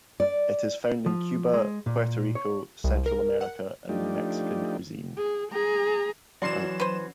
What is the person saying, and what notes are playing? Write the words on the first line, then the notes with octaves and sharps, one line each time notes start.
It is found in Cuba, Puerto Rico, Central America and Mexican cuisine.
D5
F3
G#3
A#2
C#5
C2
A#4
F#5
F3 A3 D4 D#4 G4
G#4
G#4 A#5
E3 F#3 C#4 F#4 D5 C6 C7 E7
B4 C5